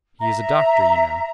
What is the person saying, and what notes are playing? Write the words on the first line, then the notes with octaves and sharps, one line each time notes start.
He is a doctor, you know.
E5 A#5